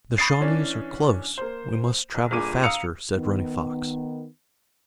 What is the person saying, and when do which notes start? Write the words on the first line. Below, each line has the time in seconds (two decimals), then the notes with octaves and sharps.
"The Shawnees are close, we must travel faster," said Running Fox.
0.18 B5 C#6 D#6 A6 C7
0.40 E3 C#4 D4
1.38 A#3 C5
2.14 B1
2.31 G1 A#2 G#4 D6 D#7
2.63 F5 A#5 D#6 E6 C#7 F7
3.15 D#3 B3